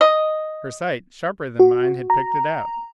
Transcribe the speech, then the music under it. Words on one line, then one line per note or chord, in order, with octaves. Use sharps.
Her sight, sharper than mine, had picked it out.
D#5
F#4
A#5